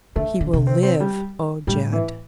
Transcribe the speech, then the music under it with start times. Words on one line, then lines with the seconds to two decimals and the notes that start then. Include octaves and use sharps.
"He will live, O Jed."
0.16 D3 A3
0.41 D3
0.53 C3
0.67 C4
0.83 C4
1.00 G3
1.67 A2 G3
1.92 E3